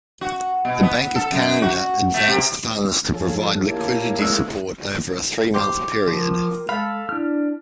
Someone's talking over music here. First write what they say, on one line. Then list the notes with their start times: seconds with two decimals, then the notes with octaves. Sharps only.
The Bank of Canada advanced funds to provide liquidity support over a three-month period.
0.21 F#4
0.65 B2
0.83 B3
1.16 A4
1.32 F#2
1.62 F#4
2.14 A3
2.28 C3
3.14 F3 G#4 A4 C#5 G#5
3.67 A#3 E4 G4 C#5 A5
4.19 G#3 A3 E6
5.54 G4 C5
6.08 F3 A#4
6.69 G#3 A4 F5 B5
7.09 D4 E4 F6